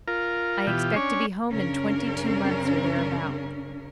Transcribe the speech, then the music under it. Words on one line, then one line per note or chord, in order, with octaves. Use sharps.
I expect to be home in twenty-two months or thereabouts.
F4 A#4
B2 E3 F4 G4
C#4 D4 C#5 G#5
F#2 C#3 C#4 D4 A#4